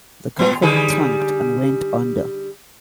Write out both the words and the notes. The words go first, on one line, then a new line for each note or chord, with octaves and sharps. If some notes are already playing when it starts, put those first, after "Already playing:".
The company tanked and went under.
A2 B3
D3 G3 G#4